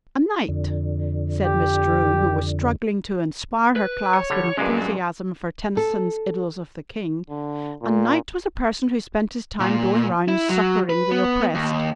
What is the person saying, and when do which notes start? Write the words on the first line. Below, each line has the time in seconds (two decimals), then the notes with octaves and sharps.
"A knight," said Miss Drew, who was struggling to inspire her class with enthusiasm for Tennyson's "Idylls of the King," "a knight was a person who spent his time going round succouring the oppressed."
0.49 F2 D3
1.44 G4
3.76 B4
4.14 C#5
4.30 D3 G3
4.57 G2 A#2 F#3 G#3 C#4
5.77 A4
7.30 D3
7.82 A#2
9.60 A#2
10.28 E4
10.49 F#3
10.90 B4
11.11 B3
11.55 D#2